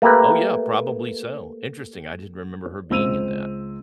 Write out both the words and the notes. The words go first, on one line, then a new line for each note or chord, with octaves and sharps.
oh, yeah, probably so. Interesting, I didn't remember her being in that.
A3 A#3 G4 A#4 B4
C#2 C4 E6 D#7 F7